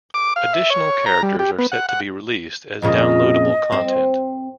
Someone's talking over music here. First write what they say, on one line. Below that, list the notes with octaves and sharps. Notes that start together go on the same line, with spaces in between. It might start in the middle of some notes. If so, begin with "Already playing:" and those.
Additional characters are set to be released as downloadable content.
D6
F5
E5
C#5
A#5
G3
G4
B3
F#5
F#5
F2 A#2 C#3 D#5
C4